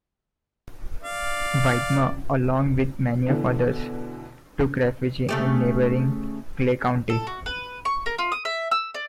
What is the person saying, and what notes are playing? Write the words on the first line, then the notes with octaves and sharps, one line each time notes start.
Whitmer, along with many of the others, took refugee in neighboring Clay County.
D5 F5
B2 D3 E3
C#3 A3 G4
A4
F#4
B4
C#6
A#4
F4
D#6
E5
E6
D5